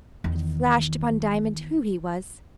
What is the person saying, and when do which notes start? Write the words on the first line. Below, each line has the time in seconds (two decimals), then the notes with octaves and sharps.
It flashed upon Diamond who he was.
0.24 E2 D#3